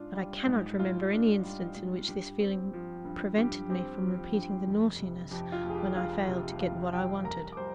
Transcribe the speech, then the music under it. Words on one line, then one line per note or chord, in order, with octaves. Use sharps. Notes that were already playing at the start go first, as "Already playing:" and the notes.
But I cannot remember any instance in which this feeling prevented me from repeating the naughtiness when I failed to get what I wanted.
Already playing: G#2 D4 F4
G3
G#2
G#2 F4
D4
G3
G#2
G2 G4
C4
F3
G2
G2 G4
C4 G4
F3
G2
F1
C3
F2 G4
F4
F1
G#4
G4
F1 F4 F5
C3
F2 F4 F5
F1 G4 G5
C2 A#4 A#5
D6
G3 C5 C6